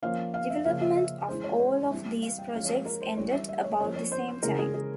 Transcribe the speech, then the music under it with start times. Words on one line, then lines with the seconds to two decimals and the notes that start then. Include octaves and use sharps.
Development of all of these projects ended about the same time.
0.02 F3 A#3 C#4 F5
0.34 F5
0.50 E5
0.65 C#3 F3 A#3 C#4 F5
0.81 E5
0.97 E5
1.28 E3 G#3 C#4 C5
1.44 C#5
1.60 C#5
1.91 E3 G3 C4 E5
2.22 F5
2.38 G5
2.54 F3 G#3 C#4 F5
2.65 C#5
2.75 C#5
2.86 A#4
3.02 C5
3.17 E3 G3 C#4 C#5
3.33 E5
3.49 E5
3.64 C#5
3.80 F3 A#3 C#4 C#5
3.96 C#5
4.12 C5
4.43 C#3 E3 G#3 C#4 A#4
4.59 G#4
4.74 G#4